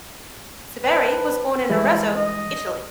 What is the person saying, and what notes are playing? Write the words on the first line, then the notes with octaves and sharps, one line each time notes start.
Severi was born in Arezzo, Italy.
B4 C5 G5 A5
E3 G3 G#3 E4
D#5